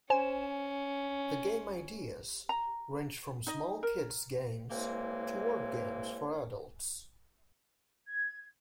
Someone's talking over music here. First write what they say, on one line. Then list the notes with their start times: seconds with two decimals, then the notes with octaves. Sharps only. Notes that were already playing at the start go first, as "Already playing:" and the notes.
The game ideas ranged from small kids' games to word games for adults.
0.10 C#4 C5 G#5 E7
2.49 A#5
3.47 D#4 D#5
3.83 A#4
4.70 C2 E3 G#3 A#3 C#5
8.07 G#6